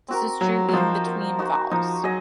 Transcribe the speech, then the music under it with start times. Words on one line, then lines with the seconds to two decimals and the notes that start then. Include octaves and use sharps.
This is true even between vowels.
0.09 C4 F#4 A#4
0.41 F#3 A#3
0.69 F#3
0.73 F3 D#4 F#4 C5
1.06 A#3
1.39 D#4 F#4 C5
1.71 F3 D#4
2.04 F#3 G#4 D#5